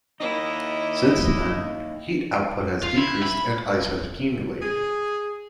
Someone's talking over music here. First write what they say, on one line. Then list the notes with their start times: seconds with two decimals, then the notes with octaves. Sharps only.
Since then heat output has decreased and ice has accumulated.
0.20 A#3 D#4 E4 D#5
2.83 F4
2.97 E4
3.23 B5
4.62 G#4